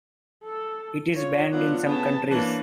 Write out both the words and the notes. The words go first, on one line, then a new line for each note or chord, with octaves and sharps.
It is banned in some countries.
A4
F4 C#5
F#3 B3 D4 F4 F#5
C#3 A3 B3 A5
E3 A#3 C#4 D4 A5